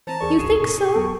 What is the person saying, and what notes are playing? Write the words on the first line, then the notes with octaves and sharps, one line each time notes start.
"You think so?"
E3 C4 C5 A5 A#5
E2 E3 G#4 A#4 D5 C#6
A1 D2 G#2 F#4 G#4 D#7 E7
G#2 B2
E2 F#3 B3